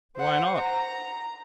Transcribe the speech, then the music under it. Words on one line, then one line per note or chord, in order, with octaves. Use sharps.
"Why not?"
C5 F#5
A#5